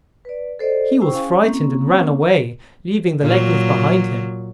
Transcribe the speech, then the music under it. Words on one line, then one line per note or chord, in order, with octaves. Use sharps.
He was frightened and ran away, leaving the leggings behind him.
B4 D5
A4 C5 D5 D#5
E4 C5 G5 C#6
C#4 G#4 F5 G#5
A#3 C4 C#4 E4
A#2 F#3